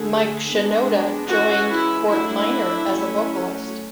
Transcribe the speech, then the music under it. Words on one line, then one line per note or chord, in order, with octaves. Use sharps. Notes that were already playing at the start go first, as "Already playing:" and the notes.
Mike Shinoda joined Fort Minor as a vocalist.
Already playing: D3 A3 D4 G#4
G#3 B3 D4
E3 G#3 C#4 F#4
E4
F#3 A3 D4 E4
F#3 A3 C#4